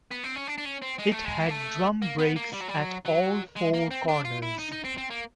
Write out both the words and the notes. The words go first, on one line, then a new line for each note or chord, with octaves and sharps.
It had drum brakes at all four corners.
B3
C4
C#4
D4
D4
C#4
C4
G#3
A3
G#3
A#3
A3
A#3
B3
A#3
G3
F#3
G3
F#3
F#3
G#3
A#3
C4
D4
F4
E4
D#4
D#4
C4
C4
A#3